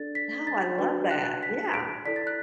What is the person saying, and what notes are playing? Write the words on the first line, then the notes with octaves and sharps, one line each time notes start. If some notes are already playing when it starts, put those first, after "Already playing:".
Oh, I love that, yeah.
Already playing: D4 A4 D5 A6
B6
A6
D4 F#4 B4
F#6
B6
D7
E4 A4 D5 B6
A6
F#6